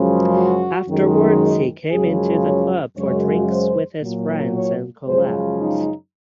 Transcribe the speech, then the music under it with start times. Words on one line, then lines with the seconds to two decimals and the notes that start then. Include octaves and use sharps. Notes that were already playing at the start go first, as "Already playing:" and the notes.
Afterwards he came into the club for drinks with friends and collapsed.
Already playing: F#2 C#3 F3 G#3
0.35 F#4
0.87 F#2 D#3 G#3
1.91 F#2 C#3 F3 G#3 G#4
2.44 C#5
2.96 F#2 C#3 G#3 C#5
3.49 C5
4.01 A#2 F#3
4.54 C#5
5.06 F#2 C#3 F3 G#3 C5
5.58 D#4